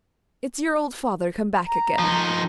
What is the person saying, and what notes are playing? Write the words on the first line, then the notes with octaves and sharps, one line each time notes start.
It's your old father come back again.
A#5
F3 D#4